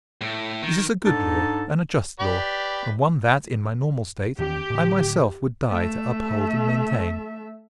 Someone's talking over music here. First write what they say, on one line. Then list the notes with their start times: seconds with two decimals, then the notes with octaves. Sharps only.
This is a good law and a just law, and one that, in my normal state, I myself would die to uphold and maintain.
0.21 A2
0.63 D#3
1.04 G#2 D4 D#4 A4 A5
2.19 G4 B4 D5
4.38 E2 D#3 C#4 G4
4.70 A2 D3
5.70 A3 E5